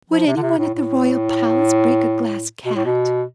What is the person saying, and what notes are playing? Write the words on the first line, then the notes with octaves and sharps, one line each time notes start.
"Would anyone at the royal palace break a Glass Cat?"
F3
C3
D3
C3
A2
A2
B2
A2
B2